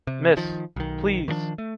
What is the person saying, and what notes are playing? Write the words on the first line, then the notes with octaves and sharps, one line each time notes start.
Mrs!... Please!...
C3
D#3 F3
B1 D#3
D#3 F3 A3 D4
A3